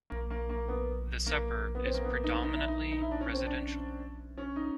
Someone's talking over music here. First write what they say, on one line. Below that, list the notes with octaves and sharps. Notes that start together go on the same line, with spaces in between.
The suburb is predominantly residential.
A#3
A#3
A#3
B3
A#3
B3
C4
A#3
B3
D#4
D#4
E4
D#4
D#4
E4
D4
C#4
C4
D4
C#4
D#4